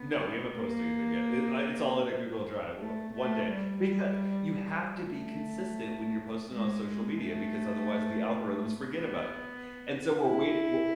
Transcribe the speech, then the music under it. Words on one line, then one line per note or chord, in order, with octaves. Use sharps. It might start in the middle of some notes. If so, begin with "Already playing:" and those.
No, we haven't posted anything yet. Eh, uh, it's all in a Google Drive. Or one day becau you have to be consistent when you're posting on social media because otherwise, the algorithms forget about you, and so, we're wait we're
Already playing: B3
A#3
A3
A3
G3
A3
G#3
A3
B3
E4